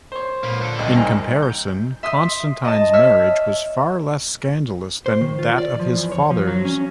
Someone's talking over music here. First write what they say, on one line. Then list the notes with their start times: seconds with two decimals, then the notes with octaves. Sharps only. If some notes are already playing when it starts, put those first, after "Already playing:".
In comparison, Constantine's marriage was far less scandalous than that of his father's.
0.12 C5 C#5
0.43 A#2 A#3 B4
0.61 D4 A4
0.79 C2 G2 D#5
0.96 D#3 C4 G#5 A#5
1.42 G6
2.03 E5 C6 D#6
2.64 D#5 A5
2.93 C#5 E5 E6 F6
5.06 C5
5.21 D#3
5.39 F4
5.58 D5
5.79 F3
5.97 E2
6.12 C#5
6.30 F3
6.47 F#3
6.65 C#4